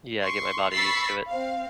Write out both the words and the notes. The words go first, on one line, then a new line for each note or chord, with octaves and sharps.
Yeah. I get my body used to it.
C6 C#6
B5 C#6 E6 A6 B6 C7
C4 F5